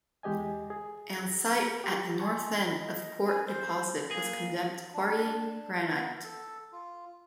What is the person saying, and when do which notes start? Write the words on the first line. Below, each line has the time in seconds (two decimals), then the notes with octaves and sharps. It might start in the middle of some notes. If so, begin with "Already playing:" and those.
An site at the north end of Port Deposit was condemned to quarrying granite.
0.23 E2 G#3 G4 D#5 G#5
0.70 G#4
1.84 G4
2.20 G#5 A5 C6 C#6
2.76 D#5
3.26 G#5
3.47 C5
4.11 A#3 G#4
4.94 D4
5.89 B3
6.24 A4
6.72 F4